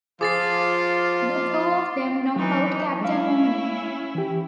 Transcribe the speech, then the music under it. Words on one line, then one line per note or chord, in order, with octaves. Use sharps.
The two of them knock out Captain Mooney.
F3 F4 G#4 D6 A6 C7
E3 F#3 D#4
G#3 C#4 E4 F5
E3 G4